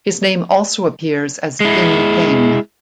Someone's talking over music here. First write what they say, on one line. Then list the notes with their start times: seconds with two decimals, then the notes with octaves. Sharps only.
His name also appears as Tin Peng.
1.60 G#3 E4